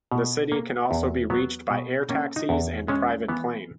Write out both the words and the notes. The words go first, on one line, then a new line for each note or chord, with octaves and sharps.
The city can also be reached by air taxis and private plane.
B2
A#3
E2
F#3 B3
B2
A#3 C#4
D#4
E2
G#3 C#4
E3 B3